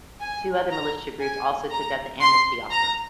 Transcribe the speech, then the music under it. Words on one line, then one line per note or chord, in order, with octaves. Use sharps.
Two other militia groups also took up the amnesty offer.
G#5
A#5
G#5
A#5
C6
A#5